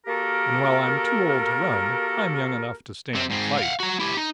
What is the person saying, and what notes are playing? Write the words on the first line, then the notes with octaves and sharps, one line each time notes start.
And while I'm too old to run, I'm young enough to stand and fight.
A#3 F#4 G4 A4 A#4
C3 C4
G#2 C4
F5 F#5
F#4 A#5
E4 G4
D#4